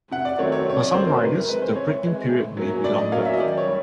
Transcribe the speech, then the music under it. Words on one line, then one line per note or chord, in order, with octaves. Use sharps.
For some riders the break-in period may be longer.
C3 F#5
D5
D#3 F#3 A3 C4 C#5
C#5
C3 C#5
D5
D#3 F#3 A3 C4 C5
A#4
C3 B4
A#4
E3 G#3 B4
C5
C3 C#5
E3 G#3
A2
F#3 A#3 C#4
A2 D5
D#5
F#3 A#3 C#4 F5
E5
D#5
D#3 D5
C#5
G3